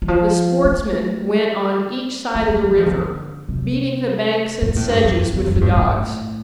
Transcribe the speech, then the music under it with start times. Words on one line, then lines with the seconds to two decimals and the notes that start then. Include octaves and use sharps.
The sportsmen went on each side of the river, beating the banks and sedges with the dogs.
0.02 E3
0.08 F3
0.65 A3
2.35 A3
2.49 A3
2.63 G3
2.78 F3
2.86 C3
2.92 D3
3.49 C3
4.62 A#2
4.76 A2
4.91 G2
5.04 F2
5.33 E2
5.47 F2
5.56 A2
5.61 G2
5.75 A2